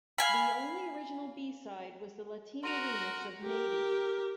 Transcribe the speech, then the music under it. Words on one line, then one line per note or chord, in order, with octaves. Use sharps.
The only original B-side was the Latino remix of "Maybe".
F5 G#5 B5
F#4 A#4 C6 D#7 F7
G4 A#4